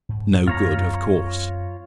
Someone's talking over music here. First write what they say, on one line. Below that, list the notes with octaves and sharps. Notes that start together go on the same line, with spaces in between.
No good, of course.
G#2
F#2 C4 F4 C#5 A#5